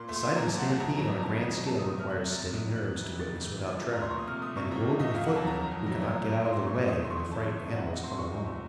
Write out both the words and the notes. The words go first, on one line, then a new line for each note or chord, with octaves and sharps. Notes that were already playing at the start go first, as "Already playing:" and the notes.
The sight of a stampede on a grand scale requires steady nerves to witness without tremor; and, woe to the footman who cannot get out of the way when the frightened animals come along.
Already playing: A#2 C6
A3
C6
A#2
F#3 A#5
A5
A#2
F#5
A3 A5
F2 A#5
F#3 A5
A#5
F2
D#3 A5
F2
F#3 D#5
C3 A5
D#6
A3
D#6
C3 F6
F#3 F#6
C3
A6
A3
F2
D#3
F#6
F2
C3 F#6
F2
A6
D#3
A3
A#2
A#2
A3
A#5
A3 C6
A#2 C#6
D#6
C3 F6
A3 D#6
C3 C#6
F3 A#5
C3
A3 D#5
F2 F5
F#5
F#3
A5
F2 A#5
D#3
F2
F#3
A#2
A3
A#2
F#3 C6
A#2
C#6
A3
A3 D#6
D#3 C6
C#6
F2
C3 A5
A3
D#3
C3 F#5
A3 D#5
C3 C6
F3 C#6
C3
A3